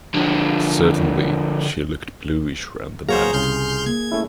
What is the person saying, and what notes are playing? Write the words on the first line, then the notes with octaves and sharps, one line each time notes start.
Certainly she looked bluish round the mouth.
D3 F3
F#3 A#3 G#4 C5 C#5 F5 A#5
C2 C#3 C6 F6 G6
A#3 G#6
A3 C#4 E4